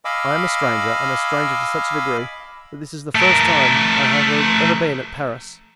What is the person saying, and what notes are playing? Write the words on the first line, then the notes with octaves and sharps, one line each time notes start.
I am a stranger, and a stranger to such a degree, that this is the first time I have ever been at Paris.
D#5 F5 G#5 B5 D6 E6
A3 A#4